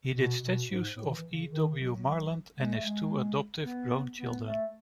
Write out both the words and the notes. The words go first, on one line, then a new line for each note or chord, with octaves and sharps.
He did statues of E. W. Marland and his two adoptive grown children.
B2
B2
G#2
A2
D#3
E3
C#3
D#3
F#3
G#3
A3
G#3
B3
B3
A3